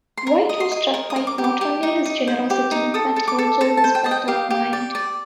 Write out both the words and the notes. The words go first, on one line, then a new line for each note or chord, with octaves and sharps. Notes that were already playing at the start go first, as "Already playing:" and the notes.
White was struck by not only his generosity, but also "his breadth of mind".
C6
A#4 A#5
D#5
C6
D#5
A#4
D#6
A#4
D6
G4
D6
G4
D#4
D#4
C5
G4
D#4
A4 D#6
A4
D6
A4
A4 A#5
A5
C5
G5
D#5 A5
G5
G4 F5
G4
D5
D5